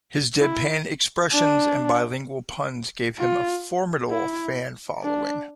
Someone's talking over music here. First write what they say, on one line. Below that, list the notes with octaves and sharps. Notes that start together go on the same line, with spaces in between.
His deadpan expressions and bilingual puns gave him a formidable fan following.
E4
D4
F4
E4
D4